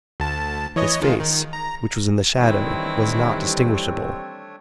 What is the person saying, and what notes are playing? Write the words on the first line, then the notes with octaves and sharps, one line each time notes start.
His face, which was in the shadow, was not distinguishable.
D2 A5
E3 C#5 D#5
D#3 G#3 F4
D#3
A#5
D#3 E3 G3 A3 C4 D4 E4 C#5